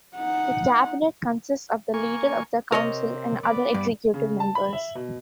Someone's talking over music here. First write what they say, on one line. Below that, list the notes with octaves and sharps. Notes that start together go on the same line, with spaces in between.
The Cabinet consists of the Leader of the Council and other Executive Members.
D#4 F#5
A#3 G#5 C#6
C3 A#4 C#5 D#5
B3 D5
G2
C#3
A5
B5
E5
B2